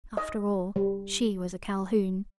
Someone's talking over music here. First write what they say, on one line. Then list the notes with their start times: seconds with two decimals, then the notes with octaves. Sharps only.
After all, she was a Calhoun.
0.17 D#5
0.76 G3